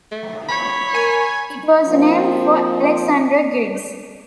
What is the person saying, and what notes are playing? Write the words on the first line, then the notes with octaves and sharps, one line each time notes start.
It was named for Alexander Griggs.
A3
C#5 B5
A#4 G#5
F3 A#3 C4